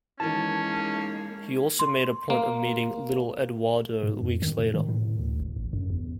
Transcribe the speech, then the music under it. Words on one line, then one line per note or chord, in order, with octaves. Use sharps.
He also made a point of meeting "little Eduardo" weeks later.
D#3 E3 G#3 A#3 C#4 A5
C6
A#3
G#2
F2
D#3
A2
D#3
A2
D2
G1
A1
F#2
E2